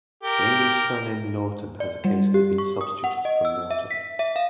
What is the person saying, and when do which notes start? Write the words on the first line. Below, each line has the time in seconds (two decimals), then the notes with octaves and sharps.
The English surname Norton has occasionally been substituted for Naughton.
0.23 G4 A#4
1.80 D5
2.05 G3
2.34 G4
2.58 C#6
2.81 D#6
3.04 F#5
3.25 D#5
3.45 E6
3.71 E5
3.91 B6
4.19 E5
4.36 F5